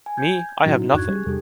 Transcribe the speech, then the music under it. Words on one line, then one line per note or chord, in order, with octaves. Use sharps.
Me, I have nothing!
G#5
G6 G#6
A2 F#3 C#4 D#4 E4 F#4
F2 G#2 D4 C#6 F#6 G#6
G3 C#4 G4 G#4
E2 C3 G3 D4 G4 A4